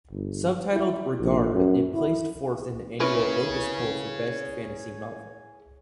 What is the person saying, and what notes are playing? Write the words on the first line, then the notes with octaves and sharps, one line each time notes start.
Subtitled "Regard", it placed fourth in the annual Locus Poll for best fantasy novel.
G1
E4
A#1
F#2
E4
E4 G#4 A#4 B4 C#5